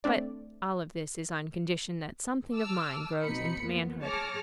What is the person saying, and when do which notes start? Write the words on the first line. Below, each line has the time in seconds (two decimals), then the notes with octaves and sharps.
But all of this is on condition that something of mine grows into manhood.
0.04 A3 C4 D4 D5
2.55 A5 D6 E6 F6
3.23 B2 C4 D#4 B5 C#7
3.60 F2 A#2 B3
4.03 G#4 C#5 A5 D6 F6 A#6